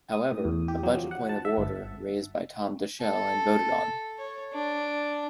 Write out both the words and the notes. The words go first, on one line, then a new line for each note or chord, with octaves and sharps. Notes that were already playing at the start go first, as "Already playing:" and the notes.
However, a budget point of order raised by Tom Daschle, and voted on.
D#6
A2
E2
G4
F#3
F3
F#5
A5
E5
G1
A4
C#5
D4